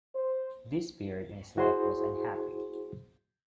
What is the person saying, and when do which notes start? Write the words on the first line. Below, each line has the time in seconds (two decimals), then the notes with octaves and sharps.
This period in his life was unhappy.
0.15 C5
1.57 E4 F#4 G#4 C5 C6